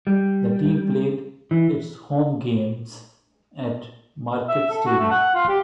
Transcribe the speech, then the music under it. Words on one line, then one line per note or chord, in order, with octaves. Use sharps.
The team played its home games at Marquette Stadium.
G3
E3
E5
A4
F#4
A3
F#5
F4
G4